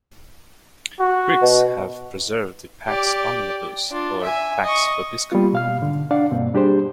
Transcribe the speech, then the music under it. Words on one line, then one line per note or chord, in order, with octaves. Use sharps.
Greeks have preserved the "Pax omnibus" or "Pax vobiscum".
F#4
B2
G4 D5
D4 F4
E5 G#5
D#5 C#6
G3 A#3 B3 F4
B2 F5 F6
G#2 D3
D4 D5 F5 F#5
G2 B2 A#3 C4
G3 D4 G4 G#4 C5